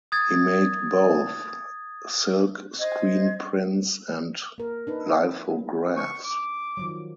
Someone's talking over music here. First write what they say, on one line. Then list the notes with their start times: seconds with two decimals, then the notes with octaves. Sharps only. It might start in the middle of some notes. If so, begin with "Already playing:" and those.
He made both silk screen prints and lithographs.
0.12 D#6 G#6 A6
2.79 C5 D#5 G#6
4.58 A#3 A#4
4.87 D4 D#4 B4
5.96 C#6
6.25 D6
6.77 D#3 F3 F#3